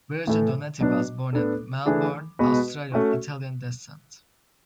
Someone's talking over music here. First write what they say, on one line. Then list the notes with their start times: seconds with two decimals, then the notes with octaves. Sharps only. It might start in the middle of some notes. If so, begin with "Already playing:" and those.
Virgil Donati was born in Melbourne, Australia of Italian descent.
0.27 A2 E3 A3
0.80 B2 F#3 B3 D4
1.33 B3 D4 A4
1.86 E3 A3 D4 G#4
2.39 B2 G#3 B3 F#4 B4
2.92 A3 C#4 F#4